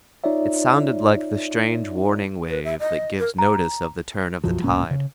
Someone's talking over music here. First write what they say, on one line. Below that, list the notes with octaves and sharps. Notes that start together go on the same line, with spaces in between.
It sounded like the strange warning wave that gives notice of the turn of the tide.
D#4 F4 C#5 D5 E5
B4
E5
D#5
A#4
A#5
B1 F#2 F3 F#3
D1 C#2 A#2 C#4
C#3